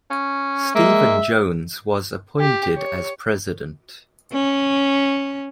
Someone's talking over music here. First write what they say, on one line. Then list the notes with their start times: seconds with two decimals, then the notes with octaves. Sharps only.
Steven Jones was appointed as President.
0.11 C#4
0.75 G#3 A#3 E5
2.40 G4
2.77 C#5
4.32 C#4